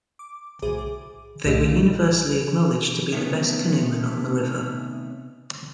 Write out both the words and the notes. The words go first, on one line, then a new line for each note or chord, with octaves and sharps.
They were universally acknowledged to be the best canoemen on the river.
D6
B1 A2 G#4 C5 G#5 D6
D6
C2 A#2 A3 G4 D#5
C3 D#3 A3 B3 C#4